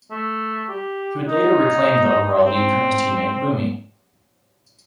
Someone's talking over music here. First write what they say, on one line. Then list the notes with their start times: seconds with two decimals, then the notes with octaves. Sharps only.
He would later reclaim the overall lead from his teammate Buemi.
0.11 A3
0.69 G4
1.28 D#4
2.46 C4